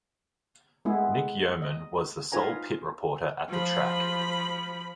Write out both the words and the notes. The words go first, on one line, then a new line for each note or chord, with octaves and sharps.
Nick Yeoman was the sole pit reporter at the track.
G#3 A3 B3 E4 G#4
D#5
D#4 F4 B4 G#5 A#5
F3 B5